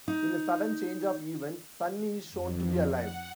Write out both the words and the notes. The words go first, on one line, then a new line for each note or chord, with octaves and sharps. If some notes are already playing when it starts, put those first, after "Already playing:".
In a sudden change of events, Sunny is shown to be alive.
D#4
F2
F#5